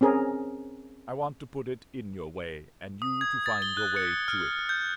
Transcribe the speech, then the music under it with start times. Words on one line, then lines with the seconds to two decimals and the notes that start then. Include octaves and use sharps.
I want to put it in your way, and you to find your way to it.
0.01 C4 C#4 G#4 A#4
3.02 D#6
3.21 G#6
3.46 A6
3.62 G7
3.77 F#6
3.96 C#7
4.28 F6
4.69 G6